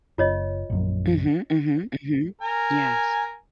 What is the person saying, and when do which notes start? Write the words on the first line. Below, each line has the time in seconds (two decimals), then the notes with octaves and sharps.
Mhm, mhm, mhm. Yes.
0.18 F#1 F4 C#5 D#5
0.70 A#1 F#2
2.41 A#4 G#5